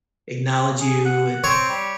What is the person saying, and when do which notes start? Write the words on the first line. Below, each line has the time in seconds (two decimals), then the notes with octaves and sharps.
acknowledge you, and
0.81 G#4
1.05 F#5
1.44 C4 C#5
1.69 G3